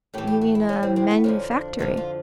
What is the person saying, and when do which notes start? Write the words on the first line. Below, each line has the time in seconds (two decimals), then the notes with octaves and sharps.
You mean a manufactory.
0.14 A2 E3 G4
0.27 G4
0.41 F#4
0.55 E4
0.69 A2 E3 C#4
0.83 C4
0.96 C4
1.11 B3
1.24 F2 D3 F3 C#4
1.51 D4
1.79 F2 D3 F3 D#4
1.97 F4